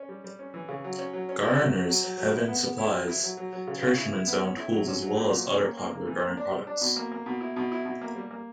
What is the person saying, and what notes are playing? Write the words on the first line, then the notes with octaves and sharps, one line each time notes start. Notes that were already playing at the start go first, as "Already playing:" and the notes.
Gardeners' Heaven supplies Titchmarsh's own tools as well as other popular gardening products.
Already playing: C#4
G3
G3
C#4
E3
C#3
F#3
C#4
F#3
C#4
E4
F#3
F#3
F#3
F#3
F#3
E4
B3
B3
E4
F#3
E4
F#3
F#3
F#3
C#3
C#3
E4
E4
B3
C#4
E4
F#3
C#4
F#3
A#2
F#3
C#4
A#3
A#3
A#3
E3
A#3
D4
G3
D4
B2
A#3
A#3
B2
E4
B2
E4
B2
A#3
G3
A#3